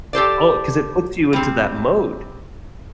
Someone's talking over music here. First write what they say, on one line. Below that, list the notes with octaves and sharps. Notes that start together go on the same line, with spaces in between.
Oh, 'cause it puts you into that mode.
G4 A4 C5 D5
G3 C4